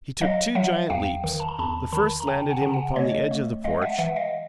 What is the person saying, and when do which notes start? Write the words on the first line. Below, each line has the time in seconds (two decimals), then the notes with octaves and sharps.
He took two giant leaps. The first landed him upon the edge of the porch.
0.21 F#3 D#5 F5
0.55 F#3 E5 F#5
0.90 E2 F5 G5
1.24 D#3
1.40 A5
1.48 A#5
1.59 E2 A5 B5
1.92 D#3 A5 B5
2.20 A#5
2.27 C#3 G5 A5
2.50 F#5 G#5
2.61 C#3 A5
2.73 F#5 G#5
2.96 A3 C#5 D#5
3.31 A3
3.64 G#3 D#5 F5
3.82 E5 F#5
3.98 E3 E5 F#5
4.16 D#5 F5